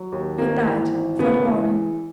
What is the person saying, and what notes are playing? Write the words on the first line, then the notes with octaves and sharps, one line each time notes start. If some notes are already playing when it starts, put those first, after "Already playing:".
He died before the morning.
Already playing: F#3
D#2
G#1 A#3
E3
G#1
C#3 B3
E3